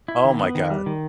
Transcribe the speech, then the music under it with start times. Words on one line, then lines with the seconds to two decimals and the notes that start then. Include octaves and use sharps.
Oh my god.
0.08 E4
0.24 D#3
0.40 B3
0.55 D#3
0.71 G3
0.86 D#3